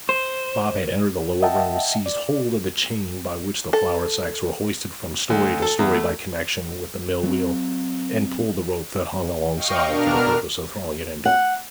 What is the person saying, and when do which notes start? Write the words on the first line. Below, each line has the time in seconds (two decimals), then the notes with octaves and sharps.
Bob had entered the lower room, seized hold of the chain by which the flour-sacks were hoisted from story to story by connexion with the mill-wheel, and pulled the rope that hung alongside for the purpose of throwing it into gear.
0.09 C5
1.42 D#5 E5 F#5 G5 A5
2.06 D5
3.73 A4
5.30 D2
5.62 A4
5.79 E2
5.94 A3
7.23 F#3 C4
9.56 D#5 F5 G5 C#6
9.85 B2 D4 A#4 F6
11.25 F#5